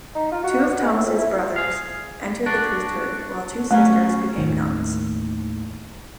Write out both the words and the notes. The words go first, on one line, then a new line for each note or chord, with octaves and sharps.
Two of Thomas's brothers entered the priesthood, while two sisters became nuns.
D#4
F4
F#4
B3
G#3
A2
F2
E4
G#4 F5
D4 F#4 D5
C#3 F#3 A3 C#4
D#2 A2 D#3